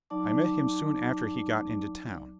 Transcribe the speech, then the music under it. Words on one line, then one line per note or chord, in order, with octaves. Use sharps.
I met him soon after he got into town.
F#3 D#4 D5 A5 D6